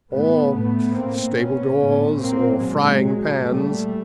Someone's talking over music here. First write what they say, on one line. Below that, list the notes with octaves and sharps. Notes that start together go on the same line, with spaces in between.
Or stable doors, or frying-pans.
A2 A3 B3
A2 A3 B3
A2 A#3 C4
A#2 B3 C#4
A2
A#2 A#3 C4
A#2 F#3 G#3
A#2
A#2 G3 A3